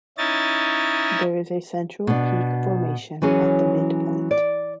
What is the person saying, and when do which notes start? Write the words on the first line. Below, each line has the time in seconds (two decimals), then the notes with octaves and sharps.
There is a central peak formation at the midpoint.
0.18 C#4 D#4 E4 A6
2.07 B2 D4
3.22 E3 F#3 C#4 G#4
4.31 D5